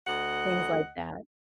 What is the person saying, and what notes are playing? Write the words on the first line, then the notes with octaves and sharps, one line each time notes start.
things like that.
D2 D#5 F#5